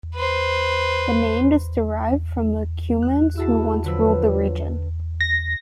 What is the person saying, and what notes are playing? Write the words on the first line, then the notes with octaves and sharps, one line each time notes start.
The name is derived from the Cumans who once ruled the region.
B4 C5
F#6
E4 F#4 G#4 A5 E6 E7
D3 F3 F#3 B4 E6
A#6